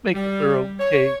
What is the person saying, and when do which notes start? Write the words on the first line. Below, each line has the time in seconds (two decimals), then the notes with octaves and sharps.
make us our own cake
0.14 G3
0.80 C#5